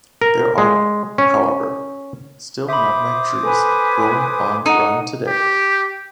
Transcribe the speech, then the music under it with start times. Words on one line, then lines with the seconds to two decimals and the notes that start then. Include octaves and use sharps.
There are, however, still nutmeg trees growing on Run today.
0.22 A#4
0.58 G#3
1.18 C#4
2.69 C5 E5 B5 D6 D#6
3.43 A4 B4 G#5
4.66 D#4 A4 F#5
5.27 G4